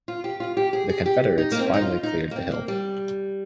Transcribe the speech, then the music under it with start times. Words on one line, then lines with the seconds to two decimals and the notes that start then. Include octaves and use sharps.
The Confederates finally cleared the hill.
0.08 F4
0.24 G4
0.40 F4
0.57 G4
0.73 G#4
0.89 G#4
1.06 G4
1.38 D#4
1.52 A#3
1.59 C4
1.66 C#4
1.74 D#4
1.81 F4
2.03 D#4
2.31 A#3
2.36 C4
2.52 A#3
2.68 G3